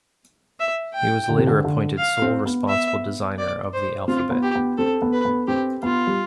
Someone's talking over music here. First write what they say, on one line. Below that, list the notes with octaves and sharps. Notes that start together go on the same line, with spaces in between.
He was later appointed sole responsible designer of the alphabet.
E5
G5
D3
C3
D3
D3
F5
C4
B3
E5
D5
C5
C4 F4
B3
G4
B3
C4 A4
B3
B4
B3
C4 G4
B3 F4
G3